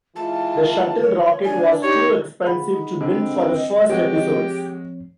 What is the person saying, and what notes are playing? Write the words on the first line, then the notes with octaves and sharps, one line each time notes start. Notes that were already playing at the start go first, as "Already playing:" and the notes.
The shuttle rocket was too expensive to build for the first episodes.
E3 G#3 F4 A5
C#5
D4 D5 G#5
D#4 G4 C#5
F4 G#4 F#5 B5
D#4
D3 C4 D#5
F3 G#3 C4 F#4 G4 C#5